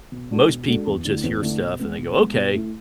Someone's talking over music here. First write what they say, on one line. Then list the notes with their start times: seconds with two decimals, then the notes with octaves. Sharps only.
Most people just hear stuff, and they go, "Okay,"
0.12 B2
0.30 G#3 D4 F#4 A4
0.49 B2
0.67 G#3 D4 F#4 A4
0.87 E2
1.05 D3 A3 E4
1.23 E2
1.41 D3 A3 E4
1.61 B2
1.79 G#3 B3
1.98 B2
2.17 G#3 B3
2.35 B2
2.54 A3 E4